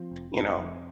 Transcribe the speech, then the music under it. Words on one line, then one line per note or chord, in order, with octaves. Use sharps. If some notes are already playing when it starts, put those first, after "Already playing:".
you know,
Already playing: F3 C4
F1
F1
F2